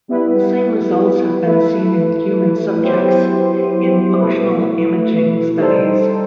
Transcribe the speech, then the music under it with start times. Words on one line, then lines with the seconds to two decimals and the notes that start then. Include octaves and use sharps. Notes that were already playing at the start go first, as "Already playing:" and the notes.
The same results have been seen in human subjects in functional imaging studies.
0.08 G3 B3 E4 B4
1.45 A3 E4 B4
2.82 F#3 B3 E4 G4 C5
4.19 B2 A3 E4 B4
5.57 G3 D#4 A4 C5